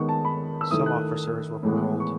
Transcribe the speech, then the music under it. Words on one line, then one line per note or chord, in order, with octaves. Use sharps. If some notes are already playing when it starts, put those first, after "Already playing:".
Some officers were paroled.
Already playing: D#3 G#3 B3 D#4 C#6
A5
B5
E6
D#3 A3 E4 D#6
F#6
A2 E3 G#3 B3
C#6